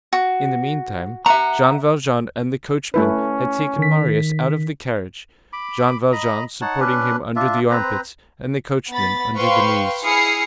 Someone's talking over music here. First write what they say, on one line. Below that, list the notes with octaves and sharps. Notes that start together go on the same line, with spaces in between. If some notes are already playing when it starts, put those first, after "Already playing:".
In the meantime Jean Valjean and the coachman had taken Marius out of the carriage, Jean Valjean supporting him under the armpits, and the coachman under the knees.
F#4
E5 F#5 A#5
A3 C#4 E4 B4
D#3 B6
B5 D6
D#5 A#5 B5
D#4 C#5 F#5 A5
C#4 D4 B4
D4 F4 E5
C4 B4 C5 A#5
B3 B5 A6
B4 C5 F5 G5 C6 C#6
E4 G#4 D#6 F6 C7 C#7